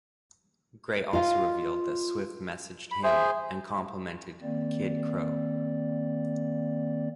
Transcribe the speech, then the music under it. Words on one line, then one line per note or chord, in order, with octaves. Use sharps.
Gray also revealed that Swift messaged him and complimented "Kid Krow".
F4 D#5 F5
B5
G#4 C5 E5
D#3 A#3 C4 D5